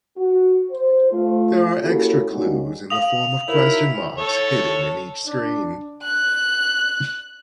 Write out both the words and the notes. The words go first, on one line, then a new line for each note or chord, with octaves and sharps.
There are extra clues in the form of question marks hidden in each screen.
F#4
C5
A3 F4
A#3 C#4 E4 F#4 G4 A4
G3 G#3 A#3 C#4 D#4 F#4
A4 F5 D#6 F7 F#7
D#4 E4 F#4 A#4 C#5
A4 C#5
D4
F#6